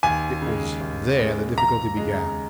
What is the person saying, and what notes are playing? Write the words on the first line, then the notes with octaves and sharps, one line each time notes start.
It was there the difficulty began.
D#2 G#5
C#3 G#3
D#2
C#3 G#3
D#2 A#5
C#3 G#3